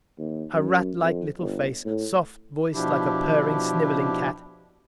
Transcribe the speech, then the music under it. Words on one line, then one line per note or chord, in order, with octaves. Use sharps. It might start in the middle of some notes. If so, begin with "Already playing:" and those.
Her ratlike little face, soft voice like a purring, sniveling cat!
D#2
F#2
F2
G1
A2
B2 F3 D4 E4 G4